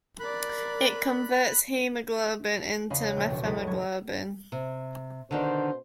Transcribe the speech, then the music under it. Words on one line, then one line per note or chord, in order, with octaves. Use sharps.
It converts hemoglobin into methemoglobin.
A#4 D5 B5 F#6
E2 C#3 C#4 D#5 F5 B5
F#6
A#1 G4 G5 E6
E1 B2
F#1 C#2 E4 A4 D#5 B5
D#1 F#3 A#5 C#6 G#6
C3
B2 D3 D#3 D4 C5